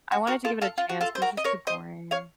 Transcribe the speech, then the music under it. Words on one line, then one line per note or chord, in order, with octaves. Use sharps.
I wanted to give it a chance, but it's just too boring.
F#4
F#4 A#4
F4 A4
F4 A4
F4
F#4
F4 A4
C5
F#4 A#4
D#5
A#4 C#5
C5 D#5
C#5 F5